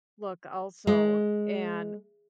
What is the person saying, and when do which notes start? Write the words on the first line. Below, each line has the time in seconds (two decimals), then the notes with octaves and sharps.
look also. And
0.87 G#3